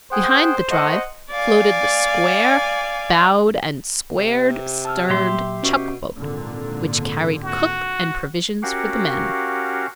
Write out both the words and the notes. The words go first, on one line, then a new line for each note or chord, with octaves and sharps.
Behind the drive floated the square bowed and square sterned chuck-boat, which carried cook and provisions for the men.
G#4 C5 F#5 G5
A3 D#5 F#5
D5 F5 G#5
C3
A5 E6 F6
A#2 F#3 G4 E5 C6
B2 C#4 C#6
G#1 A#2 D3
F#4
C#4 F#4 G4 A#4 F5 F#5